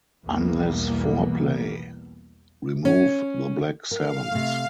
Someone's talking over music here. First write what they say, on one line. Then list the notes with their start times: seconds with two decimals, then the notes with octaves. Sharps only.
Unless four play, remove the black Sevens.
0.24 B1 E2 E3 G3 A#3 B3
2.85 C#4
3.91 A#4 F5
4.31 C3 A3